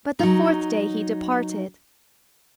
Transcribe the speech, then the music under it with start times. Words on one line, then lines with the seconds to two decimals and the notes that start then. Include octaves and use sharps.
But the fourth day he departed!
0.19 F#3 D#4